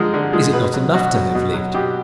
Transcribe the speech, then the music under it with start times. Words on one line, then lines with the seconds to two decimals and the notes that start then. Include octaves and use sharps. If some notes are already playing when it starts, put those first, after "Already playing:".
Is it not enough to have lived?
Already playing: D3 F3 G#3 A#4
0.14 D3
0.33 F3 G#3
0.53 B2 B4
0.74 F#3
0.94 B2 F#4
1.14 F#3
1.35 B2
1.54 F#3
1.74 B2 G4